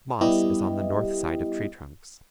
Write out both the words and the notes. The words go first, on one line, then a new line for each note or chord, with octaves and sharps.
Moss is on the north side of tree-trunks.
G3 B3 E4 G4 D#5